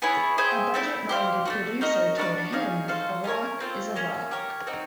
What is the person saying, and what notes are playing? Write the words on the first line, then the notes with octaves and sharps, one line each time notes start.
A budget-minded producer told him, A rock is a rock.
B3 E4 G#4 C#5
G#4 C5 E5 G5
A3 C4 E4
G4 C5 F5
A3 D4 F#4
D#4 F#4 A#4 D#5
D4 F#4 A#4 D5
D#4 G#4 C#5 F5
F#4 A4 C5 F5
C#4 F4 A#4 C#5
C4 F4 A4 C5
A#3 C#4 F#4
G4 A#4 C#5
C4 D#4 F#4